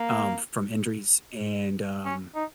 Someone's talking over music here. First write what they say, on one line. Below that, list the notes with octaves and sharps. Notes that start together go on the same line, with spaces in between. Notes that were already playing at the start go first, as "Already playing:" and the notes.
um, from injuries and, um,
Already playing: A#3
C#4
D#4